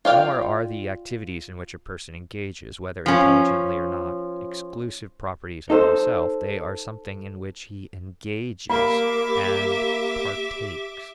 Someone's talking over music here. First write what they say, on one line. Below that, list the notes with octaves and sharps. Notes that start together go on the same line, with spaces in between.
Nor are the activities in which a person engages, whether intelligently or not, exclusive properties of himself; they are something in which he engages and partakes.
F4 D5 F5 G5
F3 C#4
D#4 A4 C5
A#3 G4 E5 B5 D6